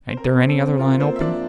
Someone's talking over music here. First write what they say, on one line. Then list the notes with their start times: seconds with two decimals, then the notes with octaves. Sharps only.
Ain't there any other line open?'
0.10 C5
0.17 C4 A#4
0.38 C4
0.49 A4
0.59 C4
0.79 F4 A#4
1.00 A#3 C4 C5
1.16 E5
1.20 F3 D4 D5